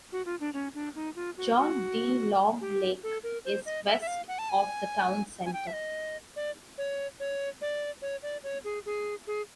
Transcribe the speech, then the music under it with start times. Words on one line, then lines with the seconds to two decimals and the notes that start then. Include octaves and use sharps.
John D. Long Lake is west of the town center.
0.12 F#4
0.26 F4
0.40 D4
0.54 C#4
0.75 D4
0.95 D#4
1.16 F4
1.37 F#4
1.57 F#4
2.61 G4
3.03 A4
3.24 A#4
3.45 C5
3.66 D#5
3.87 E5
4.01 E5
4.07 F5
4.28 F#5
4.39 A5
4.49 G#5
5.46 G#5
5.53 G5
5.67 E5
5.73 D#5
6.36 D5
6.78 C#5
7.20 C#5
7.61 D5
8.02 C#5
8.23 D5
8.44 C#5
8.64 G#4
8.86 G#4
9.27 G#4